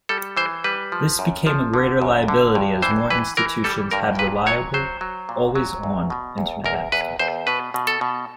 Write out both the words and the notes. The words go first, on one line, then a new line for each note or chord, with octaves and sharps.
This became a greater liability as more institutions had reliable, "always-on" Internet access.
G3 A4
E3 C5
G3 B4
F3
F#2
F3
D3
F#2
D3
G2
E3 C5
E3 B4
E3 A#4
G3 A4
G2 A#4
A#2 B4
F#3 C#5
F#3 C5
F#3
A#2
F#3
E2
B2
E2
E2 A#4
E2 B4
E2 C5
B2 B4
B2
A4
B2